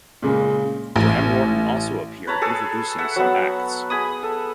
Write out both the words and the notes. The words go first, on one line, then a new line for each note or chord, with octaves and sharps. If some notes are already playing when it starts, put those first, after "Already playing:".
Graham Norton also appeared introducing some acts.
A#2 C#3 G#3
A1
B4 C#5 A5 A#5
G#4 A4 A5
E5 F#5 A5
F#3 B3
G#4 G#5 B5 D#6
A4